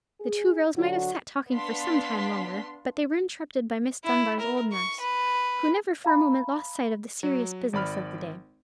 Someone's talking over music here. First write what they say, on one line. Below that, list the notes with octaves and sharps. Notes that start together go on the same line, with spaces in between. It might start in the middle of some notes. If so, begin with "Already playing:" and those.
The two girls might have sat talking for some time longer, but they were interrupted by Miss Dunbar's old nurse, who never for a moment lost sight of the serious business of the day.
G#4
D3 F#3 F#4
B3 D4 F5 C6 B6
E4
A#4
C#6
B4
F5 A#5 B5
F#3
G#1 D5 B5 F6